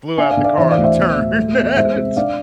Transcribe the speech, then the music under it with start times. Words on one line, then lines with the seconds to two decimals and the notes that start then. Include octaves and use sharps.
flew out the car on a turn. Its
0.18 D4 E5 G#5
0.31 D5 F5
0.37 D3
0.44 D5 F5
0.57 E3 C5 E5
0.71 D5 F5
0.77 D2
0.84 C5 E5
0.97 B1
1.17 A2
1.38 A3
1.57 E2
1.77 G#3 C5 E5
1.96 C3
2.16 D4 D5 F5